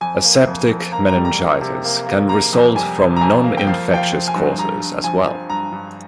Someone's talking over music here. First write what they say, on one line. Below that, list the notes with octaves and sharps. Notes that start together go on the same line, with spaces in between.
Aseptic meningitis can result from non-infectious causes as well.
F2 G#5
A#3
F2
F2
A#3 A#5
A#5
G3
A#5
A#3
C3
A#3
A#3
A#3 A#5
F2
G3 G#5
C3
A#5
F2 G#5
A#3
G5
F3 F5
F3 G5
F5
F3
G#5
G2
G2 A#5
G2
F3 G#5
F3
G2 A#5
G2